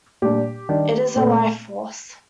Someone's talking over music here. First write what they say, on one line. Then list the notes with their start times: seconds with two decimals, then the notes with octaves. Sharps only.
It is a life force.
0.22 A#2 G3 D4 G4
0.69 D#3 G3 D4
1.16 A#2 A3 C4